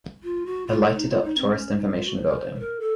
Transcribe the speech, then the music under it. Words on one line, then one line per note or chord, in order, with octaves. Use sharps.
A lighted up tourist information building.
F4
F#4
F4
D#4
F4
D#4
C4
C#4
D#4
F4
F#4
C5
A#4
C5
C5
A#4
A4